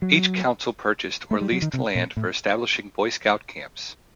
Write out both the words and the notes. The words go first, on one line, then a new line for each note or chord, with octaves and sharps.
Each council purchased or leased land for establishing Boy Scout camps.
F#3
A3
G3
F#3
D#3
C3
A#2
A2